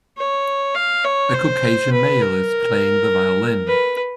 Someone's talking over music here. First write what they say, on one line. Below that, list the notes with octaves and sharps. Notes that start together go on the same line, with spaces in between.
A Caucasian male is playing the violin.
C#5
F5
C#5
C5
B4
A#4
B4